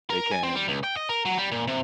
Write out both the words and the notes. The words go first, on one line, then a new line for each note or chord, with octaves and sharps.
they can
A#4
G#5
C4
G3
C#2
G5
D#5
A#4
F#3
G3
A#2
C3